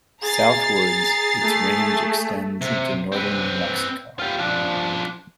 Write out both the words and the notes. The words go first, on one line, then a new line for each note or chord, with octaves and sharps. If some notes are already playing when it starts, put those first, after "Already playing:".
Southwards, its range extends into northern New Mexico.
G#4 A#5 A6 C7
A3
C3
C4 B4
F4 G4
F3 D4